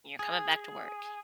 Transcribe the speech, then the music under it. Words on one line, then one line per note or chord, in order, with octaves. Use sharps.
You're coming back to work.
G#4